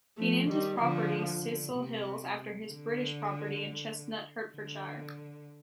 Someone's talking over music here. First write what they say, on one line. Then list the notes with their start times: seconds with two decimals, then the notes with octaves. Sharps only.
He named his property Cecil Hills after his British property in Chestnut, Hertfordshire.
0.17 F3 A3
0.49 D#3 G3
0.79 D3 F3
1.41 D3
1.73 C3
2.67 D3
4.55 D3